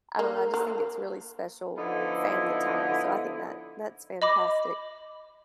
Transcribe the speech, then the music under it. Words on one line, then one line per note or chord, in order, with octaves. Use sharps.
I don't know, I just think it's really special family time, so I think that that's fantastic
A#3
A#3
D3 F3 B3 D#4 E4
D#5 B5 D6